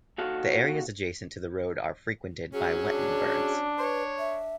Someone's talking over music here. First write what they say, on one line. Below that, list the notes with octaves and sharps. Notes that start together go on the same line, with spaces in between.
The areas adjacent to the road are frequented by wetland birds.
D#2 F#4 A4 F5
F#3 C#4 G#4
D4
B4 C#5
E5